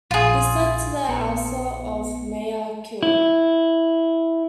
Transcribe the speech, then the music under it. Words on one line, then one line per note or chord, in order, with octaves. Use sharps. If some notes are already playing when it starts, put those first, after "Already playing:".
This led to the ouster of Mayor Kyll.
A#1 F4 G#4
A#1 B3 C#7
E4